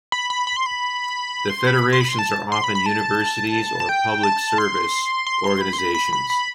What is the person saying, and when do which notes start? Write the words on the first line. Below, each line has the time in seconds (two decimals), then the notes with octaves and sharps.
The federations are often universities or public service organizations.
0.12 B5
0.30 B5
0.47 B5
0.56 C6
0.66 B5
1.50 C6
1.67 B5
1.93 C6
2.01 B5
2.09 C6
2.19 A5
2.52 C6
2.64 B5
2.75 B5
2.86 A5
3.80 A5
3.89 G5
4.24 A5
4.58 C6
5.27 C6
5.44 C6
5.61 B5
5.73 C6
5.79 B5
5.94 B5
6.13 B5
6.30 B5